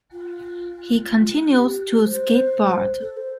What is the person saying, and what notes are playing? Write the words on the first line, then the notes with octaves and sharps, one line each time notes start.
He continues to skateboard.
F4
F4
G4
C5
A4
C5